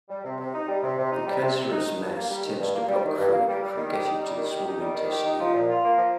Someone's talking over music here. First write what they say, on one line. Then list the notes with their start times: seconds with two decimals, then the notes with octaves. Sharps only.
The cancerous mass tends to block food from getting to the small intestine.
0.09 G3
0.24 C3
0.39 C3
0.54 D#4
0.68 G3
0.82 C3
0.98 C3
1.12 D#4
1.27 G3
1.42 C3
1.57 C3
1.71 D#4
1.86 D#3
2.00 G2
2.16 A#3
2.30 G3
2.45 D#3
2.60 G2
2.74 A#3
2.88 G3
3.04 D#3
3.19 G2
3.33 A#3
3.47 G3
3.62 G3
3.77 D#3
3.92 G4
4.07 D#4
4.22 G3
4.36 D#3
4.51 G4
4.66 D#4
4.81 G3
4.94 D#3
5.09 G4
5.25 D#4
5.40 F3
5.53 A#2
5.69 F4
5.84 A#3
5.98 F3